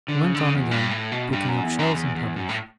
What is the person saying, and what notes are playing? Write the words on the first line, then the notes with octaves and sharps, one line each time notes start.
We went on again, picking up shells and pebbles.
D3
C#3
D3
C#3
E2
G2
A2
B2
F#2
G2
F#2
E2
F#2
E2
E2
F#2
A2